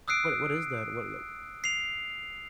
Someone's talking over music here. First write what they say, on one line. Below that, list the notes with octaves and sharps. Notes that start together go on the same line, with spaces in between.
What i what is that? What, l
D#6 E6 F#6 C7 D7
C7 F7